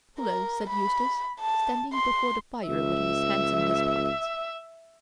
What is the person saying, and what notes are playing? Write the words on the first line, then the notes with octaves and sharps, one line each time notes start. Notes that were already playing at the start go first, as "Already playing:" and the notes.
"Hullo!" said Eustace, standing before the fire with his hands in his pockets.
A#4
B5
A5
C6
C#2 E5